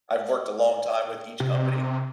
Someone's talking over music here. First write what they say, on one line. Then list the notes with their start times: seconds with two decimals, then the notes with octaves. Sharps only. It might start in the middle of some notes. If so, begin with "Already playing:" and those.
I've worked a long time with each company
1.40 C3